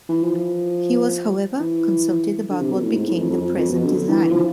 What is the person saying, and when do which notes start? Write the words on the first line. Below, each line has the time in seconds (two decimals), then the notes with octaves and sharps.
He was however consulted about what became the present design.
0.09 E3
0.23 F3
1.59 E3
2.50 D3
2.61 C3
2.73 B2
2.83 A2
2.95 G#2
3.07 A2
3.18 F2
3.29 F2
3.41 F2
3.56 F2
3.70 B2
3.85 D3
4.09 E3
4.31 F3